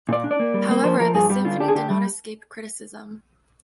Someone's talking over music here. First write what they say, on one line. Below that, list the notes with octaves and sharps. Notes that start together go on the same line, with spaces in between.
However, the symphony did not escape criticism.
A#2 D5
D4
D5
A#3
G3
A#3
F3 C5
F3 A#4
G2 G#4
G3 G4
D3 F4
D4 G4
G#4
D3 G4
G3